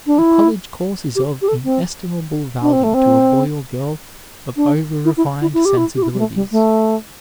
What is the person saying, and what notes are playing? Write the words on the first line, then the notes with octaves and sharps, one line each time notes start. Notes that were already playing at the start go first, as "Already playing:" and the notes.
A college course is of inestimable value to a boy or girl of over-refined sensibilities.
D4
E4
G4
G4
A4
C4
D4
C4
A3
C4
D4
E4
E4
E4
E4
G4
E4
G4
E4
G3
A3
G3
A3